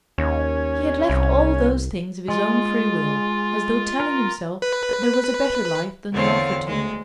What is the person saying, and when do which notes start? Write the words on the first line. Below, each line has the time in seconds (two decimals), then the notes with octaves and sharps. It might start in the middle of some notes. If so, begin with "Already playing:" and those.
He had left all those things of his own free will, as though telling himself that there was a better life than they offered to him.
0.18 D#2 C#4
1.10 C2
2.28 G#3 F4
4.00 A#4
4.62 B4
6.13 E2 D3 C4 C#5 F5
6.67 D2 G#3